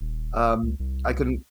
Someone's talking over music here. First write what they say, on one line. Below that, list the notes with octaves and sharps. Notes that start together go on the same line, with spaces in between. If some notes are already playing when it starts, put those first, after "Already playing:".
um I couldn't
D#1
C#2
C2